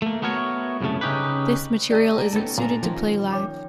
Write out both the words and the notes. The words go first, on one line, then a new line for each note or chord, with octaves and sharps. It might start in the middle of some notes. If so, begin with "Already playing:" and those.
This material isn't suited to play live.
A3 A#3
A3 B3 F#4 A#4 C#5
C2 F#2 A#2 C#3 A3
C#3 C#4 D#4 G4 B4
G4 D5 D#5 G5 A#5
A3 G5 A#5
B3 C#4 D#4 A4 A5
A#2 D4 A#4 G#5 A#5
D#3 F3 C#4
C#5 G5 D6